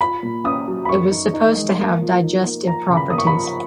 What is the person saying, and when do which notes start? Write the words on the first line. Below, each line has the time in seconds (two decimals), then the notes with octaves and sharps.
It was supposed to have digestive properties.
0.01 F4 B5
0.23 A#2
0.44 C#4 D#6
0.68 F#3
0.85 B5
0.89 F#2 C#6
1.11 D#4
1.34 D#4
1.56 G#3
1.78 A#3
2.01 F3
2.23 D#4
2.46 A#3
2.67 F3 A#5
2.90 C#3
2.97 B5
3.10 A#3 D#6
3.18 C#6
3.27 B5
3.34 F3